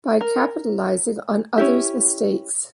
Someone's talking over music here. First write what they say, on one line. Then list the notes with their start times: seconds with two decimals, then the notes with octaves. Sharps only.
By capitalising on other's mistakes.
0.21 A#4
1.58 C#4 E4 G4